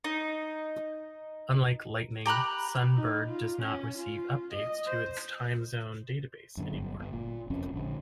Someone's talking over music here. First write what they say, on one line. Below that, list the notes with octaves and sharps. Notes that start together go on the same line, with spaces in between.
Unlike Lightning, Sunbird does not receive updates to its time zones database anymore.
D#4
G4 A#5 B5 F#6
D#4
F4
C#4
F4
D#5
C5
F#2 D3
G1
G1
A#2
F1 F2 C#4
A#1 D3